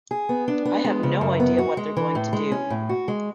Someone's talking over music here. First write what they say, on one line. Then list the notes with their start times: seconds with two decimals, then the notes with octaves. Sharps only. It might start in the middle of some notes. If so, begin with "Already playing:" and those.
I have no idea what they're going to do.
0.11 G#4
0.29 B3
0.48 D4
0.65 B3
0.85 G#3
1.03 C#3
1.21 F#2
1.40 B3
1.58 F#4
1.77 G#3
1.97 E3
2.15 A2
2.33 G#3
2.52 C#4
2.70 A2
2.89 F#4
3.08 G#3